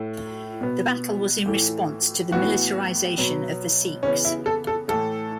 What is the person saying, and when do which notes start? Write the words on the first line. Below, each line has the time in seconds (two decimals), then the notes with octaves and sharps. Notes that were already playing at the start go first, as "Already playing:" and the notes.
The battle was in response to the militarisation of the Sikhs.
Already playing: A2 A3
0.61 B2 B3
1.46 A2 E3 A3
2.31 A2 E3 B3 F#4
3.18 B2 F#3 B3
4.03 C#3 E3 B3 C#4
4.25 E4
4.46 A4
4.67 A4
4.88 A2 E3 A3 A4